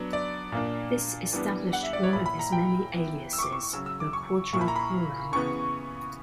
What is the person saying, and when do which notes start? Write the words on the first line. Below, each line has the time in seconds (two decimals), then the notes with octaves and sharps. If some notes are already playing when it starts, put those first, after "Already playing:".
This established one of his many aliases, the 'Quadra Kora Man.
Already playing: F#3 B3 D4
0.13 D5
0.52 A#2 A#3 D4
1.33 E3 G3 B3 D4
1.73 F#5
1.83 E5
1.93 D5
2.03 C#5
2.13 A#2 A#3 E4 B5
2.26 B5
2.39 A#5
2.52 G5
2.93 E3 B3 E4
3.33 E6
3.39 C#6
3.43 D6
3.52 C#6
3.63 C#6
3.73 C#3 F#3 C#4 E6
3.86 E6
4.00 D6
4.13 C#6
4.53 A#2 A#3 E4 C#6
4.61 B5
4.68 A#5
4.76 B5
5.33 C#3 E3 B3 C#6